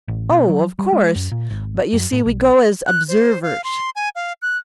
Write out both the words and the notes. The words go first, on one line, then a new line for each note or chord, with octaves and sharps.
"Oh, of course, but, you see, we go as Observers."
A1
B2
F#3
G3
G#3
F#2
A#2
G#1
F#2
A2
B1
F#6
C5
F5
C6
G#5
F5
F#6